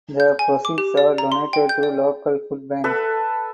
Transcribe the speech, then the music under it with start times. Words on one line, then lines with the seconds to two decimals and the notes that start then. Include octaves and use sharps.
The proceeds are donated to local food banks.
0.20 G6
0.39 G#5
0.65 D6
0.78 G4
0.97 D5
1.18 A#5
1.32 C6
1.53 G5
1.69 G6
1.83 D5
2.84 A4 B4 E5